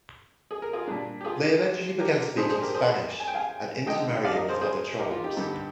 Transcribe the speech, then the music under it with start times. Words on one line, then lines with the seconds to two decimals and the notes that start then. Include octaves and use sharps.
They eventually began speaking Spanish and inter-marrying with other tribes.
0.51 G#4
0.62 A#4
0.73 F4 G#4
0.87 A#2 G3 D4
1.21 G4
1.25 F4 G#4
2.00 G4 A#4
2.37 A#2 G#3 D4 G#4 C5
2.50 G#4 C5
2.62 G4 A#4
2.74 G#4 C5
3.20 G#5
3.28 G5
3.35 F5 G#5
3.86 D3 G#3 D#4 D#5 G5
4.24 D5 F5
4.32 D#5
4.36 A#4 D5
4.49 G#4 C5
4.61 G#4 C5
4.99 G4 A#4
5.11 F4
5.24 D#4 G4
5.37 G2 D3 G3